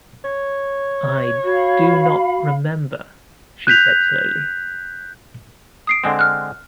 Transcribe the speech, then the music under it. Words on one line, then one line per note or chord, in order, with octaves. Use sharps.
"I do not remember," she said slowly.
C#5
F#4 F5 B5
F#6 G6 B6 F7
D#6 C7 D7
D3 G#3 C4
F6 F#6